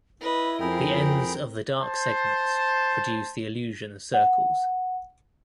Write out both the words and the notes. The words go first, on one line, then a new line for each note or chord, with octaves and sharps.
The ends of the dark segments produce the illusion of circles.
E4 B4 D#5
F2 C4 G#4 A#4 G5 B5
C5 A5
F#5